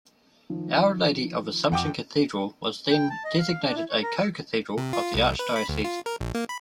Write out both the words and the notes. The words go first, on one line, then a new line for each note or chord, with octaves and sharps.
Our Lady of Assumption Cathedral was then designated a co-cathedral of the archdiocese.
D#3 F3
F2 F#5 G5 D6
G5
A5
D#5
F5
D4
E4
C#5
A#4
E6
C3
F4
C2
B4
B5
D2
F4
A#4
A#1
A#3
B5